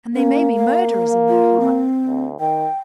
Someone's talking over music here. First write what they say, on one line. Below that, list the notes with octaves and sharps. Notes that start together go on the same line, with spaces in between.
And they may be murderers in their hearts.
A#3 C#4
F5
F4
C4
D2
D#3 G5